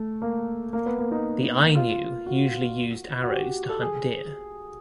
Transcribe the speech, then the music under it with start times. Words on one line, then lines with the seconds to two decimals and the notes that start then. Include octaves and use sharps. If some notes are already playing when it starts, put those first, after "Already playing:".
The Ainu usually used arrows to hunt deer.
Already playing: A3
0.22 A#3
0.73 A#3
0.86 B3
0.99 A#3
1.11 D#4
1.75 F4
2.26 F#4
3.23 F#4
3.29 G4
3.69 A4
3.81 G#4